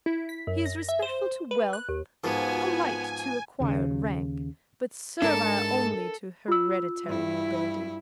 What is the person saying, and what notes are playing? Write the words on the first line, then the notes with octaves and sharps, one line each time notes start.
He is respectful to wealth; polite to acquired rank; but servile only to hereditary nobility.
E4
B6
F#2
A#6
E5
C5
B4
F#6
D#2
G#2 F3 B3 F4 F#4 A#4 G#5
D#2 C#3
G#2 D4 A4 A#4 E5 A5
F4 E6
G2 E4